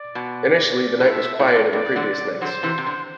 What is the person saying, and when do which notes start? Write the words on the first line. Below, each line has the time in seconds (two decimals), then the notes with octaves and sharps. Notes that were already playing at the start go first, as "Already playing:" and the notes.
Initially, the night was quieter than previous nights.
Already playing: D5
0.15 B2
1.00 B2
1.05 A2 E5
1.39 A2 D5
1.48 B2
1.55 A2
1.73 G2 D5
1.96 D3 F#3
2.41 D3 F#3 C5
2.63 C3 E3
2.78 C3
2.87 D3